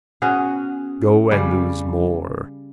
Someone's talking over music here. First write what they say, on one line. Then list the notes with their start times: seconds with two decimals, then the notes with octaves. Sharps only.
Go and lose more.
0.22 B3 C#4 F#4 G#4
1.31 C#3 G3